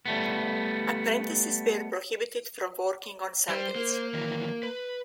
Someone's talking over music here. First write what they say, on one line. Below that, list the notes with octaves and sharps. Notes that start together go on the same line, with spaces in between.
Apprentices were prohibited from working on Sundays.
G3 A3 B3
G3 C5
A#3
D#3 E3 F#3
B4